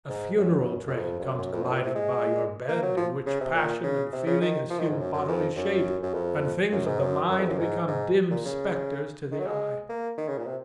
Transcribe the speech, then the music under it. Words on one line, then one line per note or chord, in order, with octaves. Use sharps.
A funeral train comes gliding by your bed in which passion and feeling assume bodily shape and things of the mind become dim spectres to the eye.
G#2
F#2
F#2
F2
F2
F#2
F#2
F2
F#2
A#2
C3
G#3
A#3
F#3
F3
C#3
C3
A#2
C#3
C3
C#3
D#3
F3
D#3
G#2
F#2
F#2
F2
F#2
F#2
F2
F#2
G#2
F#2
F#2
F2
F#2
G#2
G#2
A#2
C#3
D#3
F#3
G#3
A#3
D#3
C#3
A#2
C3